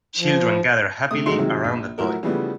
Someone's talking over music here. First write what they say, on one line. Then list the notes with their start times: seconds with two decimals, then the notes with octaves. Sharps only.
Children gather happily around a toy.
0.19 F3
1.11 C3 A3 D#6
1.26 G#1 F#3 G#3 A3 D#4 C6
1.39 C3 D#3 F3 F#3 G#3
1.64 A#1
1.98 A2 F3 F#3 E4 F#4 A#4
2.23 C#3 E3 F3 G3 A3 B3